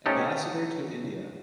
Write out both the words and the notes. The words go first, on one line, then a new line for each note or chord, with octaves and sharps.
Ambassador to India.
A3 C#4 D#4 G4 A4 C5